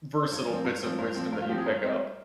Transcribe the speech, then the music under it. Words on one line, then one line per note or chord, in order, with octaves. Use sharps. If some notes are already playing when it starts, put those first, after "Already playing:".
versatile bits of wisdom that you pick up.
C5
G2 C#5
F3
C4
G2
F3 C4
G2 C5
F3 C4
G2
F4
F3 C4 G4
G#4
G2 A#4
G3 C4